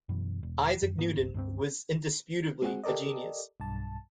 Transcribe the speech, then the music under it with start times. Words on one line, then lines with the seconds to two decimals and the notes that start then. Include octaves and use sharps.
Isaac Newton was indisputably a genius.
0.09 F#2 B2 E3
0.43 E1
0.82 F#2
0.98 G#2 F3 A#3 B3
1.17 G1 C2
1.34 C#2 G2 F#3 C4
2.62 G#3 C4 F#4 G#4 F#5
2.84 G4 A4 A#4 D5 D#5
3.60 B1 G2 A5